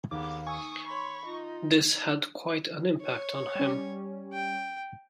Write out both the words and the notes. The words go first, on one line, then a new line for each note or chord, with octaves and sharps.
This had quite an impact on him.
D#2 B3 G#4 F5 D6
G#5 C#6 D#6 E6
C#5 B5 C6
D#4 F4
C#5
G3 C#4
G5